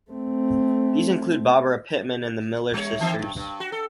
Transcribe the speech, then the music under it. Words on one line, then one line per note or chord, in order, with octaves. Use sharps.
These include Barbara Pittman and the Miller Sisters.
A3 C4
G3 C#5
D#3 E3 C4
G2
G2
F#4
A4